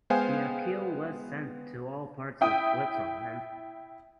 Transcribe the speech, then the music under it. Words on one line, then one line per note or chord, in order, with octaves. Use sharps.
The appeal was sent to all parts of Switzerland.
G#3 B3 C5 F5 G5 G#5
E4 G5 D#6